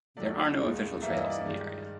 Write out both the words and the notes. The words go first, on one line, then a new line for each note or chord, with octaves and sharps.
There are no official trails in the area.
D#2 D#3 F#3 A3 D5
C#2 B2 G#3
G2 E3 G3 A#3 E5
D#5
D5
G2 D#3 G#3